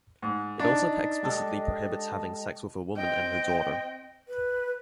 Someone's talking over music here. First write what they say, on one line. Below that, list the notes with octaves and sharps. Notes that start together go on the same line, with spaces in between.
It also explicitly prohibits having sex with a woman and her daughter.
G#2
D4 D#4 D#5
G#3 G4 A4
C4 D#5 G5
B4